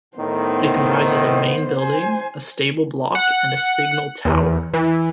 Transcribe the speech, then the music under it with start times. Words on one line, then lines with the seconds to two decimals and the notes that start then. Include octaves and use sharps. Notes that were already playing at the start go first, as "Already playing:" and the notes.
It comprises a main building, a stable block and a signal tower.
0.17 A2 D#3 B3 C5
1.79 C5 G#5
3.15 F#5
4.25 E2
4.74 E3